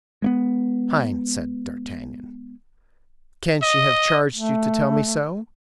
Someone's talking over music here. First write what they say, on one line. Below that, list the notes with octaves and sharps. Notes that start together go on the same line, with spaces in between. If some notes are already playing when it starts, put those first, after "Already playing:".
"HEIN!" said d'Artagnan, "can she have charged you to tell me so?"
G#3 A#3 B3
D#5
A3